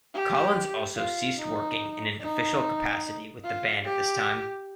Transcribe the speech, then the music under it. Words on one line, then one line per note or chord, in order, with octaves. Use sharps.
Collins also ceased working in an official capacity with the band at this time.
G4
F4
D#4
D#4
F4
G4